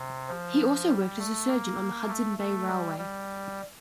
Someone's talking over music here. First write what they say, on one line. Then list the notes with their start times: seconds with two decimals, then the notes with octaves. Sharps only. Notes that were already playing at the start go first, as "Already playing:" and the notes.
He also worked as a surgeon on the Hudson Bay Railway.
Already playing: C3
0.28 F3
0.88 G3
1.19 A3
1.48 A#3
2.08 A3
2.38 A3
2.68 G3
2.98 G3